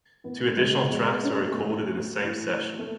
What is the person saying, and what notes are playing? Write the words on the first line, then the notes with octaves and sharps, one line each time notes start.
Two additional tracks were recorded in the same session.
A2 E3 B3
G#3
B2 G#3
B3
C#4
A3
A2 E3
A2 E3
A3